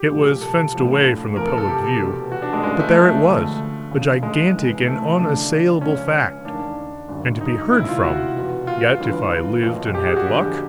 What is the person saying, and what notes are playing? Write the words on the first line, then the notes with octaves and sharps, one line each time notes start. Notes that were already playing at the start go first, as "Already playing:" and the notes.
It was fenced away from the public view, but there it was, a gigantic and unassailable fact--and to be heard from, yet, if I lived and had luck.
Already playing: G4
C2 A#2 F3
A4
A#1 A2 F3
E2 C3 F3 A#4
A4
A4
G4
E2 B2
F#4
D4
G#3
C#2 C#3 E3 G#3
A3
A3
D2 D3 F3
D2 C#3 F3
G#3
C#2 C3 E3
A3
D2 C#3 F3 D4
C#2 C#3 F3 C#4
D#2 D#3 D4
G#1 F#2 D3
D#4
E1 D2 C3 D#3 E4
F4
F#4
E2 B2
F4
G1 G2 E3
B1 A#2 F3
G4
G#4
F#4
G1 F2 D3 G4